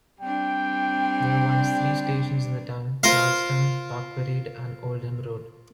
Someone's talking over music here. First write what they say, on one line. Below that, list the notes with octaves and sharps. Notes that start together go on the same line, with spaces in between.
There were once three stations in the town: Charlestown, Park Parade and Oldham Road.
G3 C4 D4 G5
F4 A#4 C5 F5